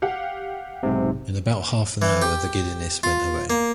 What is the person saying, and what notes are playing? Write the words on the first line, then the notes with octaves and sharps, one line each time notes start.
In about half an hour the giddiness went away.
G4 F5 F#5
B1 G#2 C3
E3
G4
F4
A#3